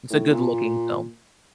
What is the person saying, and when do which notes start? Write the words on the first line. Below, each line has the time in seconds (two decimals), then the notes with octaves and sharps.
It's a good-looking film.
0.10 A2
0.31 A#2